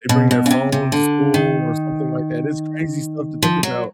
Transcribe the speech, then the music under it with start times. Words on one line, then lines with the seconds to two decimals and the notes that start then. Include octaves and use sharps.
they bring their phones to school or something like that, it's crazy stuff to think about
0.09 B2
0.31 B2
0.46 C#3
0.51 C3
0.72 C3
0.92 D3
1.34 D#3
3.43 F3
3.63 F#3